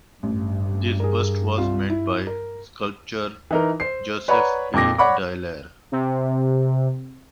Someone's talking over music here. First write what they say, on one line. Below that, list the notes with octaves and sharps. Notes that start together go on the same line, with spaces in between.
This bust was made by sculptor Josef A. Dialer.
A1 G2
G#4 A#4
C2 F4
E4
A#4
E3 D#4 A#4
C5 C7
B4 C#5 D5 F#5 A#5 B5
F2 A#2 D6 A#6
C#5 D5 F#5 B5 C#6 D6
C3